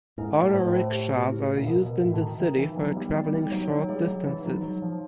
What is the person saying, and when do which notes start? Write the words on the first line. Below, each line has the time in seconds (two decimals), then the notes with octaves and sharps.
Auto rickshaws are used in the city for traveling short distances.
0.18 G#2 E4
0.42 A2
0.55 C5
0.67 A2
0.92 G4
1.29 E4
1.56 A#2
1.66 B2 A#4
1.85 B2
2.03 A2 F#4
2.14 D3
2.21 D#3
2.40 D#3 D#4
2.59 E3
2.77 F#3 B3
2.97 G3
3.14 G3 D#4
3.34 G3
3.51 F#3 C#5
3.71 F#3
3.89 G3 G#4
4.08 F#3
4.26 E3 D#4
4.45 F#3
4.62 F#3 C#5
4.82 F3